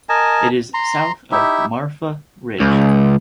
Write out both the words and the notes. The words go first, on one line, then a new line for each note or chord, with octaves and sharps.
It is south of Marfa Ridge.
A#4 D#5 G#5 A5
A#5 C6
D#4 E4 G4 E5
C#2